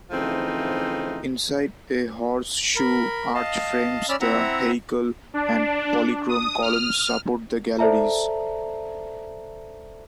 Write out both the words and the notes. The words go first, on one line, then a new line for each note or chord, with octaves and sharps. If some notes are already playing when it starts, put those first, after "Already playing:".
Inside, a horseshoe arch frames the heichal and polychrome columns support the galleries.
C#3 E3 F3 A3 C4 D#4
A#4 B5
D#5 F5 A5
C#4 D5 B5 E6 F6
C4 E4 E5 F#5 A#5
D4
D#6
F6
A4 C5 D5 E5 A5 A#5